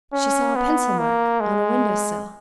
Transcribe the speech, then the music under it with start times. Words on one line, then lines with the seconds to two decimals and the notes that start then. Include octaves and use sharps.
She saw a pencil-mark on a window-sill.
0.13 C#4
0.56 B3
0.98 A#3
1.40 G#3